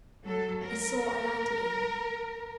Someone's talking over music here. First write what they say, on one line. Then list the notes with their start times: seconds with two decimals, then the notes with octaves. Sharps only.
I saw a light again.
0.25 F#3 A4
0.63 A#4